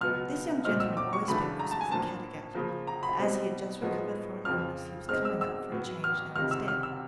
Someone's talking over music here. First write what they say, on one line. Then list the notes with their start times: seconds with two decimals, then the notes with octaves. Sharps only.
This young gentleman always spent Christmas at Caddagat, but as he had just recovered from an illness he was coming up for a change now instead.
0.01 C#2 B2 F#3 B3 F6
0.64 A#2 F#3 A3 C4 D#4 F6
0.80 E6
0.97 D6
1.13 C#6
1.28 F#2 C#3 E3 A3 D4 B5
1.59 A#5
1.71 A5
1.81 G#5
1.91 A2 F3 A#3 D4 A5
2.54 C#3 F3 A#3
2.87 A#5
3.03 B5
3.19 B2 G3 C4 D#4
3.82 A2 F3 G#3 B3 D#4
4.45 F2 C#3 F3 F6
5.08 B2 G#3 C4 D#4 F6
5.25 E6
5.41 E6
5.72 A2 F#3 B3
6.04 F6
6.36 C#2 C3 D#3 F6
6.51 E6
6.68 F6
6.83 E6